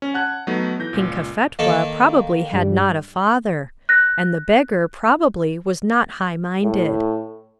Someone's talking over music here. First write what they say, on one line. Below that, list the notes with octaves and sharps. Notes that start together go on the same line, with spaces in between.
King Cophetua probably had not a father; and the beggar, probably, was not high-minded.
C#4
F#5 A5 F#6 G#6
F#3 A3 B3 D#4
E3 G6 A#6
C#2 A#2
D#3 A#3 A4
G2 G3
F#6 A#6
A2